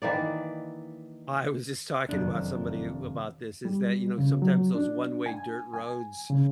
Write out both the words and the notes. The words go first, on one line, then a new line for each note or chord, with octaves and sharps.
I was just talking about somebody about this is that, you know, sometimes those one-way dirt roads,
D#3 E3 A#3 D5
F1 F#2 D#3 D4
G3
C#3
F#3
D4
G#5
G#5
C#3